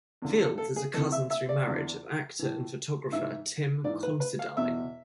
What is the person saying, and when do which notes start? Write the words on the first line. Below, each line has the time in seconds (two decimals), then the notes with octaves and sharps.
Fields is a cousin through marriage of actor and photographer Tim Considine.
0.22 E2 D3
0.40 A4
0.58 A4
0.76 G#4
0.94 F2 E3 A4
1.12 E5
1.30 E5
1.49 D5
1.67 E2 D3
2.39 A2 E3
3.11 G#2 E3 E5
3.84 G#2 E3 D5
4.03 B4
4.20 B4
4.39 F5
4.57 E2 B2 E5